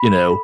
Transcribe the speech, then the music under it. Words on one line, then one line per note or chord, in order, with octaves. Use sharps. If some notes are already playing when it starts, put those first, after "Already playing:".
you know,
Already playing: B5
A4